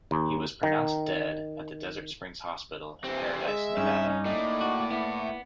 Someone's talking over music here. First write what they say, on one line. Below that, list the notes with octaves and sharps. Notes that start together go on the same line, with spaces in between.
He was pronounced dead at the Desert Springs Hospital in Paradise, Nevada.
D#2
D#3
C3 E3 C4
G#3 E5
G2 C#4 D#4
A2 A#3 D#4 D5
F#4
B3 E4